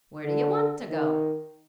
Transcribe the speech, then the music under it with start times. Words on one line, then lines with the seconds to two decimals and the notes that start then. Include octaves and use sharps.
"Where do you want to go?"
0.25 D3
0.90 D#3